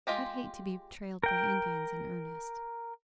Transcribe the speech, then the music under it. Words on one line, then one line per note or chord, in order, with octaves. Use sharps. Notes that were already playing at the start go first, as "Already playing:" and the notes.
I'd hate to be trailed by Indians in earnest.
G#3 E4 F4 G4 D#5
A#4 G5